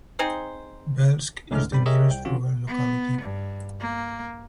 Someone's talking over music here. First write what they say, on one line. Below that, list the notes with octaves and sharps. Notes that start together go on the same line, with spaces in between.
Velsk is the nearest rural locality.
C4 D#4 G#4 C5
C#2 G#2 D3 A3 C#4 F6
G1 G3 C4 B5
G4 G#4 A#4 C#5 D#5 E5
C2 G5
C3 E3 C#4 F4 F#4
B3
G2
A#3